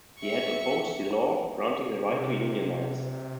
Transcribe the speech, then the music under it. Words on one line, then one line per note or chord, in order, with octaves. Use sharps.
He had opposed the law granting the right to unionize.
E5 C#6
C3